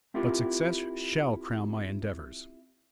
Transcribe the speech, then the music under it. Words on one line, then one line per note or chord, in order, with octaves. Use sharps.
But success SHALL crown my endeavours.
C4 E4 F4 G4 A#4